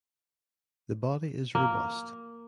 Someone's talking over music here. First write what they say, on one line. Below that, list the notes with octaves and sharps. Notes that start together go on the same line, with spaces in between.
The body is robust.
A#3